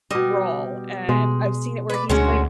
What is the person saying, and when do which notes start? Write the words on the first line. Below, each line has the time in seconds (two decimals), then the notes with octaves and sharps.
role, and I've seen it where he's played
0.11 B2 G3 D#5
1.09 B2 G#3
1.90 B4 D5
2.10 D2 G#3 C#4 F#4